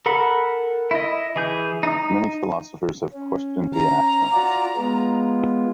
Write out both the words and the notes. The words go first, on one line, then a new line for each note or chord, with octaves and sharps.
Many philosophers have questioned the axioms.
A4 A#4 F#5 B5
E4 D#5
E3 G#4 G6
D#4 D#6
C#4
A#5
F4 F#4 D5
G#3 B3 F4